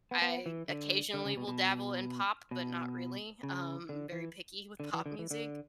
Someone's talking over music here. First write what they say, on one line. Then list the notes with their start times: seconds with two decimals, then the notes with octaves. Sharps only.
I occasionally will dabble in pop, but not really. Um, very picky with pop music.
0.11 B3
0.22 B3
0.46 E3
0.68 D3
1.14 D3
1.25 C#3
1.37 B2
1.48 B2
2.51 B2
3.43 C#3
3.89 D3
4.12 E3
4.80 D3
4.93 E3
5.06 D3
5.19 E3
5.31 D3